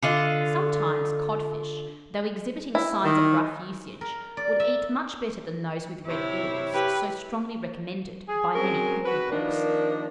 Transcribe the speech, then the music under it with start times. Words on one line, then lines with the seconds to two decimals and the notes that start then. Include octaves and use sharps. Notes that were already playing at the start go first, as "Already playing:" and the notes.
Sometimes, codfish, though exhibiting signs of rough usage, will eat much better than those with red gills, so strongly recommended by many cookery-books.
0.03 D3 F4 D#5
2.75 E4
3.05 D#3
4.01 A#4
4.37 D5
4.60 E5
6.08 C3 E4 C#5
6.75 G4 B4
8.28 G#4
8.55 F#3 C4 C#4 G#4 A#4
9.06 F#4 B4
9.31 D#3 F3 A#3 D4